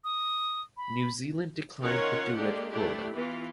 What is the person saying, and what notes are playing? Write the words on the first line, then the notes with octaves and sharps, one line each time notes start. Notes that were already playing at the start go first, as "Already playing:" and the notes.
New Zealand declined the duet quota.
D#6
B5
D#3 C#4 F4 A#4 C#5 F#5
G#3 A#3 D4 G4 A4
A3 D4 E4 G4
E3 B3 F4